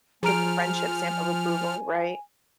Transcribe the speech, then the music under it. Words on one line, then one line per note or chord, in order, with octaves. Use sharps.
Get the friendship stamp of approval. Right?
F3 G#4 G#5 A#5 F6 D7